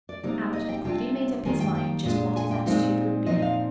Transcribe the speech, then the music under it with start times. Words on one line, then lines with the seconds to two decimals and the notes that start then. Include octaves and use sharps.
Mr. Abbott had quickly made up his mind just what his attitude would be.
0.09 D5
0.23 C3 G3 A#3 D#4 D5
0.53 D#5
0.69 G5
0.84 C3 G3 D4 F4 G5
1.45 D#3 G3 A#3 G#5
1.60 G5
1.75 G5
2.05 A#2 G#3 D4 F4
2.36 G#5
2.51 G5
2.66 A#2 F3 G#3 C4 D#4 F5
3.26 A#2 F3 C4 D#4 D#5
3.42 F5